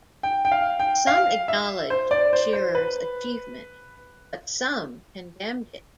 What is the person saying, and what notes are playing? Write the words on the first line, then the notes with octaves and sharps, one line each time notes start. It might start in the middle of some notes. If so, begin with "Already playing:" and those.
Some acknowledged Shirer's achievement but some condemned it.
G5
G5
F5
G5
F5
E5
C5
D5
C5
C5
B4